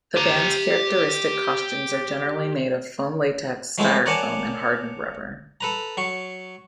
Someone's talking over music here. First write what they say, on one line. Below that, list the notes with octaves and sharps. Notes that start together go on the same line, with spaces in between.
The band's characteristic costumes are generally made of foam latex, styrofoam, and hardened rubber.
G4 A#5
F3 G#3 A3 B3 C#4 E4
A#4 C#5 D5 F#5 G#5 A5
A4 B4 A#5
F#3 C#6